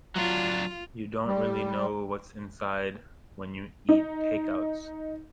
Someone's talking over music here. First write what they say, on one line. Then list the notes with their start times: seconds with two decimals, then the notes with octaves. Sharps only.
You don't really know what's inside when you eat takeouts.
0.16 F#3 D4 F4
1.27 G3
3.89 D#4